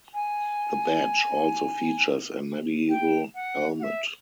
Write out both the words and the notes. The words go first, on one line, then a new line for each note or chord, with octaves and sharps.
The badge also features a medieval helmet.
G#5
G5
F#5
F#5
E5